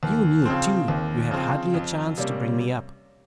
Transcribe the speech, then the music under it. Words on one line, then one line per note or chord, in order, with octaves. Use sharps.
You knew, too, you had hardly a chance to bring me up.
D#2
C#3 F3 C4
D#2
C#3 F3 C4
F2
C3 G3 A#3 C#4